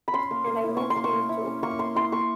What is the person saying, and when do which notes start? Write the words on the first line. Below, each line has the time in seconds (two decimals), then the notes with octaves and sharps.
And I met him, too.
0.08 B5
0.13 C#4 C6
0.31 A#3
0.47 A#3
0.64 E4
0.77 C#4 C#6
0.90 C6
0.96 A#3
1.04 C#6
1.13 A#3
1.29 E4
1.46 C#4
1.63 A#3 C#6
1.79 A#3 C6
1.95 E4 C6
2.12 A#3 C#6